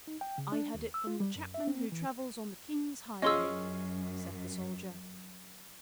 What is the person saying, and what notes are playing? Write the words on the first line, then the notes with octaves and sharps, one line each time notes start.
"I had it from the chapman who travels on the king's highway," said the soldier.
D#4
G5
C#3
D4
D#2
E6
F4
G3
F#2
E5
C4
E3
F#2 C#4 F4 G#4 D#5 C6 E6